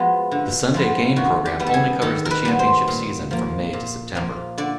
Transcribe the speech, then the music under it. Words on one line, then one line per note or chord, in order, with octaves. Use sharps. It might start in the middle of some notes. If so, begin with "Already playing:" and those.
"The Sunday Game" programme only covers the championship season from May to September.
Already playing: F3 G#3 B3 F#4
D3
F3 G#3 B3
D#3 F#4
G4
G3 B3
A4
G#4
D#3 A4
A#4
B4
G3 B3
C5
A#2
F3 A#3
A#2
F3 A#3
D3 D5